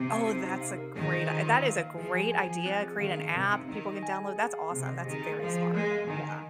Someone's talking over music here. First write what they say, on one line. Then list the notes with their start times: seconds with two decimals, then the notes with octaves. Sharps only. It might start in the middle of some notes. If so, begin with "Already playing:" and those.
Oh, that's a great i that is a great idea, create an app, people can download, that's awesome, that's very smart, yeah.
Already playing: C3
0.09 F5
0.27 D#4
0.44 D#4
0.61 F5
0.78 A#4
0.95 D#3 G#4
1.13 C5
1.30 F4
1.47 A#3
1.64 F5
1.80 F5
1.98 F3 G#4
2.14 G#5
2.32 F3 G#5
2.49 G#5
2.66 C4
2.83 G#4
3.00 D#3 F5
3.17 F5
3.34 C3 A#4
3.52 D#4
3.69 D#3 D#4
3.85 D#5
4.03 G#5
4.20 G#4
4.36 G#4
4.53 F5
4.71 C3 C4
4.88 D#5
5.05 D#3 G#4
5.22 G#4
5.39 F3 F5
5.56 G#4
5.73 G#3 A#4
5.91 F5
6.07 D#3 G#5
6.24 G#5